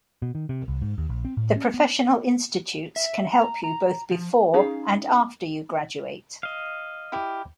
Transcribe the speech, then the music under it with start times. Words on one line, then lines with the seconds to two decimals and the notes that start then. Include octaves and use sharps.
The professional institutes can help you both before and after you graduate.
0.22 B2
0.35 D#3
0.49 C3
0.68 C2
0.82 G#2
0.98 D#2
1.09 A#1
1.25 C4
1.37 A2
1.56 C#4
1.74 B3
2.96 E5
3.32 A#5
3.64 A#5
4.11 F3
4.54 C#4 D#4 G#4 F5
6.43 D#5 F5
7.12 E4 G4